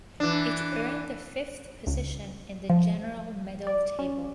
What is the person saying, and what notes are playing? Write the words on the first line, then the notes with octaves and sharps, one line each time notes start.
It earned the fifth position in the general medal table.
E3 D4
C#2
F3
D5
C#4